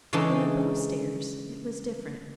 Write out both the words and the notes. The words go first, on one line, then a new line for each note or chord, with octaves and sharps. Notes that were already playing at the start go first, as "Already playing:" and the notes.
But above-stairs it was different.
C#3 E3 G#3 D4 D#4 A4